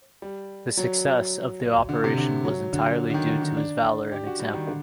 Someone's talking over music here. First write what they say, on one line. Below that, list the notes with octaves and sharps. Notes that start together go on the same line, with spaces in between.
The success of the operation was entirely due to his valour and example.
G3
F#3
D3
C3
D3
F#3
D3
D3
D#3
D3
D#3
D4
G4
F#4
G3
D#3
D3